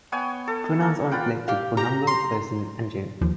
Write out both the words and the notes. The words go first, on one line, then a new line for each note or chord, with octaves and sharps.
Pronouns are inflected for number, person, and gender.
B3 C#5 G5 G#5
A4
A#3 A#4
F4 B4 F#5 G5
G4 F5
G4 A#5
C6
D#2 F3